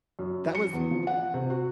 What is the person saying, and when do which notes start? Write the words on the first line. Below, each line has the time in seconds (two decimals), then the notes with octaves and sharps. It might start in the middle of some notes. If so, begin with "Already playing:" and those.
That was
0.19 F#2
0.55 C#7
0.73 E2
0.91 F3
1.07 F#5
1.34 C3
1.50 F#4